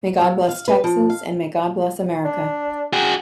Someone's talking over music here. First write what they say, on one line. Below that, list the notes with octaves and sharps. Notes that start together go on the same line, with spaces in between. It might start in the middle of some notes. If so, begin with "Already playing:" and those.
May God Bless Texas and May God Bless America.
F#3
F5
B4
F3
F5
D4
F#4 G#4